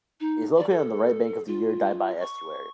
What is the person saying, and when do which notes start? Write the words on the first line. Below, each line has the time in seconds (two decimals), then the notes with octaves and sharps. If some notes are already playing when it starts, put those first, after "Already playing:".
It is located on the right bank of the Urdaibai estuary.
0.20 D#4
0.57 D5
0.71 A4
1.47 F4
2.21 C#6